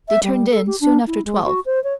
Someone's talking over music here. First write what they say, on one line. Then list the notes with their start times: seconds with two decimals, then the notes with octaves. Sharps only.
They turned in soon after twelve.
0.08 E5
0.24 G3
0.51 A4
0.67 G4
0.81 D4
1.07 E4
1.25 G#3
1.45 F#4
1.66 C5
1.84 C#5